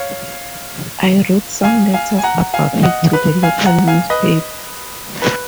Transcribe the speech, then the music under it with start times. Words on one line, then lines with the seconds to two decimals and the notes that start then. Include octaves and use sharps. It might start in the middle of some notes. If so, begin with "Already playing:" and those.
I wrote some letters about it to the local newspaper.
Already playing: C#5 F5
1.64 F5 G#5
1.93 F5 G#5
2.18 G#5
2.23 F#5 A#5
2.54 F5 G#5
2.83 D#5 F#5
3.13 B4
3.43 F5 G#5
3.66 F#5 A#5
3.88 F5 G#5
4.10 B4 D#5
5.22 B4